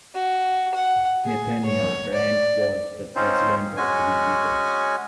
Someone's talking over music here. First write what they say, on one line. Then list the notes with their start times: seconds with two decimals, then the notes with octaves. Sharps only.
Nathaniel Brent was the president of the visitors.
0.15 F#4
0.75 F#5
1.25 G#4
1.65 C#5
2.14 D5
3.16 C4 C#4 D#4 F4 C5
3.77 G#3 C#4 F#4 G#5